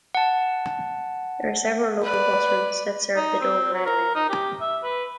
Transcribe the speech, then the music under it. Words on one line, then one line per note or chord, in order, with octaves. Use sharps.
There are several local bus routes that serve the Dover area.
F#5 A5
B4 D5
D#4
C4
F#3
A#4
D#4
G4
E5
B4